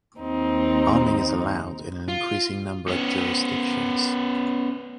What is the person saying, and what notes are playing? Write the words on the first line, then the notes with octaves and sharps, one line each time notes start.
Arming is allowed in an increasing number of jurisdictions.
D#2 C4 D#4
F4
B3 C#4